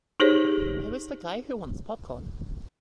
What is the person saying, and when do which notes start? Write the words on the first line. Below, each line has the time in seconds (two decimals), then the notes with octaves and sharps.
Who is the guy who wants popcorn?
0.20 D#4 G4 G#4 C5 C#5